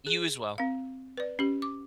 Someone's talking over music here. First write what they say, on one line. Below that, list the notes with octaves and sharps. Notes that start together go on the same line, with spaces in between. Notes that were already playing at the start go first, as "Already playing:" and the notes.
You as well.
G#4
C4 F5
B4 D5
C#4 G4
D6